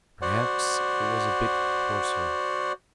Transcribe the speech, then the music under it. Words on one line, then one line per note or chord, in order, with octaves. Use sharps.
Perhaps it was a bit coarser.
F#4 C5 D5 F#5